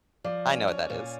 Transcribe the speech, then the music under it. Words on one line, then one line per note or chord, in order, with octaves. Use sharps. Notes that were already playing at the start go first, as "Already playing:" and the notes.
I know what that is.
F3 D5
C#4
C#4
A#2